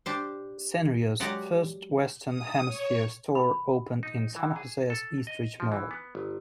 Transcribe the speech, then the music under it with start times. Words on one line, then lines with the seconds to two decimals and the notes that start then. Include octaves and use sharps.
Sanrio's first Western Hemisphere store opened in San Jose's Eastridge Mall.
0.06 D4 G4 C5
1.20 F#3 G#3 G4 D5 F#5 A#5
2.26 D#6
2.64 C#5
3.35 B5
4.03 D#4
4.36 E3
4.56 G#4
4.90 A4
5.27 D#5
5.60 F3
5.72 E3
5.91 B3
6.15 G1